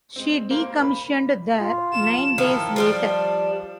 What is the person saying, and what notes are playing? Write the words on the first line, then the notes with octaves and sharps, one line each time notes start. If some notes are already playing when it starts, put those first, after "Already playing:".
She decommissioned there nine days later.
G#3 C4
A#3 C5 F5
B5
A#2 F4
C3 F3 E7
D#3 F3 E4 A4
F3 G3 D4